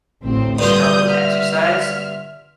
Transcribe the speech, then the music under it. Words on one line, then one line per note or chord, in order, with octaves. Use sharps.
struggle with exercise
A1 D2 C4
G2 D3 F4 D#6 G6
E5 F6